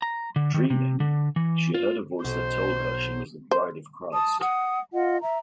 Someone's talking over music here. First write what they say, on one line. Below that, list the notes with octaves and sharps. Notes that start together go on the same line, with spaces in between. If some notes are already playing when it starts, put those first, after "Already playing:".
Dreaming, she heard a voice that told her she was the Bride of Christ.
A#5
D3
D#3
C3
D3
E3
F4
B1 C5
C5
A5 D#6
F#5 D#6
F4 D#5 F#5
E5 A#5